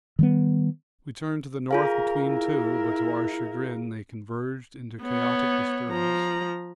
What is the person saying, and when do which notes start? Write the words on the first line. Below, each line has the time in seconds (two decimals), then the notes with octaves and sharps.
We turned to the north between two, but to our chagrin they converged into chaotic disturbance.
0.19 D#3 G3 B3
1.71 F4 G#4 A#4 F5
2.24 E4 A#4
5.03 B3 C#5
5.91 F3 A#5